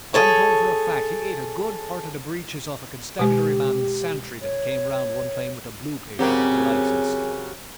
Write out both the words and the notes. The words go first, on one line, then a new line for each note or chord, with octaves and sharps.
I'm told for a fact he ate a good part of the breeches off a constabulary man in Santry that came round one time with a blue paper about a licence.
G#4 A4 C#5
B2 G#3 G4
C#5
C#3 F#3 C4 G4 G#4 A#4